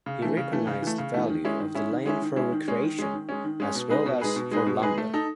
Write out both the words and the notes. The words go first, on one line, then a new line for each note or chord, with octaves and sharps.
He recognized the value of the land for recreation, as well as for lumber.
C#3
E3 A3
C#3
E3 A3
C#3
E3 A3
C#3
E3 A3
D#3
G#3 C#4 E4
D#3
G#3 C#4 E4
D#3
G#3 C#4 E4
D#3
G#3 C#4 E4
D#3
G#3 C#4
D#3
G#3 C#4
D#3
G#3 C#4
D#3
G#3 C#4
B2
G#3 D#4 G#4 B4
B2
G#3 D#4 G#4 B4
B2
G#3 D#4 G#4 B4
B2
G#3 D#4 G#4 B4
A3
D#4 A4